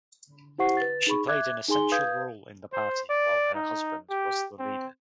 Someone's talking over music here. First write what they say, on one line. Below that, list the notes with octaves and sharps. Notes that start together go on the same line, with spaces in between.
She played an essential role in the party while her husband was the leader.
E4 G4 C5 F#5 C#6 C7
B4 A6
D#4 G#4 B5 C#6
E5 D6 F#6 G#6
D#4 G#4 G#5 C6 G7
B4 F5 D#6 G6 G#6
C5
D5
D#4
G4
C4